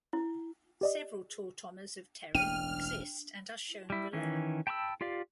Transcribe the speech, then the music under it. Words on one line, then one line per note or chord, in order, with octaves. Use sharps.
Several tautomers of pterin exist and are shown below.
E4
G4 D5 D#5
E1 A1 D4 G5 F6 D#7
G3 E4
D#3 E3 C#4
G5 A5 B5 C#6 E6
F4 G4 D5 F5